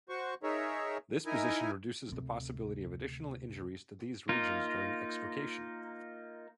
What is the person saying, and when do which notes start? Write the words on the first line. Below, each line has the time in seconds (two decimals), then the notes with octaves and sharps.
This position reduces the possibility of additional injuries to these regions during extrication.
0.09 F#4 C5 C#6
0.43 D#4 G#4 A#4 C#5 E5
1.26 D#4 E4 A#4 G#5
2.09 D2 C3
4.29 A#3 D#4 F4